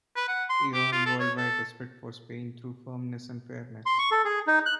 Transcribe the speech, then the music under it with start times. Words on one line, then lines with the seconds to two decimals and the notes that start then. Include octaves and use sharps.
He earned worldwide respect for Spain through firmness and fairness.
0.16 B4
0.28 F#5
0.50 C6
0.74 G4
0.92 F4
1.06 A4
1.20 C#5
1.37 A4
3.86 C6
3.99 C#6
4.11 A4
4.25 G#4
4.47 D#4
4.66 F#6